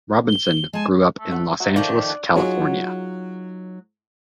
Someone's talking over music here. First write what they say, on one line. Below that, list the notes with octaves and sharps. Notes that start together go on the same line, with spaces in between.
Robinson grew up in Los Angeles, California.
G7
G#3 G#5 A5
A3
B3 C#5 F#5
F#3 F#4 E5
D#3 F3 A3 D5 F5
D4
F#3 D#4 F4 F#4 G#4